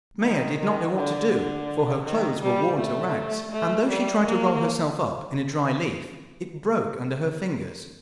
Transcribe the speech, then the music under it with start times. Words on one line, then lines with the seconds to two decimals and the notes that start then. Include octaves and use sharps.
Maia did not know what to do, for her clothes were worn to rags, and though she tried to roll herself up in a dry leaf it broke under her fingers.
0.21 D#3
0.59 D#3
0.96 D3
1.32 D3
2.05 D#3
2.42 G3
2.79 A3
3.52 A3
3.89 G3
4.26 A#3